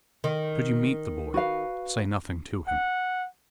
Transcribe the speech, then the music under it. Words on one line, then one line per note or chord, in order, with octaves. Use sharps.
"Should you meet the boy say nothing to him."
D#3
F#4 B4 F5
F#5